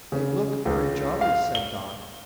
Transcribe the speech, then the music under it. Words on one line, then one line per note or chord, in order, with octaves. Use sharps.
"They look very jolly," said Dot.
C#3
C#2
F5
G7